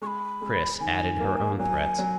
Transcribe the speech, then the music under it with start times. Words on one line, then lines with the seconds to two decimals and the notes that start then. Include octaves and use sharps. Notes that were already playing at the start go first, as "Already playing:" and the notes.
Chris added her own threats.
0.02 G#3 C#6
0.07 B5
0.41 G#3
0.80 D#3 G#5
1.20 A#3
1.59 F#3 G#5
1.99 F#3